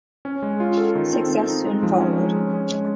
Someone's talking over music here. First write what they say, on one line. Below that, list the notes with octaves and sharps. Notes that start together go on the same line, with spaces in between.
Success soon followed.
C#4
G#3
F4
A4
D#3
C4
C4
D#4
G#3
F3
C#4
G#3
C#4
C#4
G#3